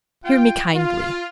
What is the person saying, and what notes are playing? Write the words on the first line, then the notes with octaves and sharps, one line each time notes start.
Hear me kindly!
F4 G5
F4